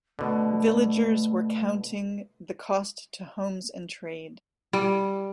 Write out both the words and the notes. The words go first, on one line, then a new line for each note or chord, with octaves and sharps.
Villagers were counting the cost to homes and trade.
B2 D3 A3
G3